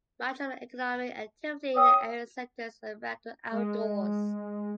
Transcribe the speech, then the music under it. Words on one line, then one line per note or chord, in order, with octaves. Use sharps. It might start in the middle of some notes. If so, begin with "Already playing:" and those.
Much of the economic activity in the area centers around the outdoors.
C#5 G5 D#6 E6
G#3